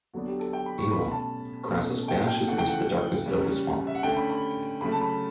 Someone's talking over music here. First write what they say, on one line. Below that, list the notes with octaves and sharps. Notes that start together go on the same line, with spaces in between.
Meanwhile, Crassus vanishes into the darkness of the swamp.
D3 F#3 B3 D4 F#4
G4
A4
G5
B5
C#6
B2 A3 C#4 B5
A5
B2 A3 C#4
G5
G5
C#3 E3 A3 F#5
G5
F#5
C#3 G3 C#4
E5
F#5
D3 A3 C#4 G5
B5
B5
C#3 F#3 A3 B5
A5
B5